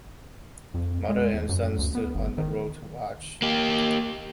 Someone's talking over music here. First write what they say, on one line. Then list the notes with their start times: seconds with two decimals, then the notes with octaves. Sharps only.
Mother and son stood on the road to watch.
0.74 F2
1.09 G#3
1.34 E2
1.49 F#2
1.79 D2
1.95 B3
2.15 G1
2.38 D#3
3.42 A#3 G4